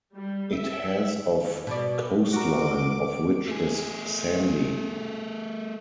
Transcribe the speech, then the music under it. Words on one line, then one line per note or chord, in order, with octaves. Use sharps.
It has of coastline, of which is sandy.
G3
E5
D#2
B2 D5
F#4 A#4 D6
A3 G#4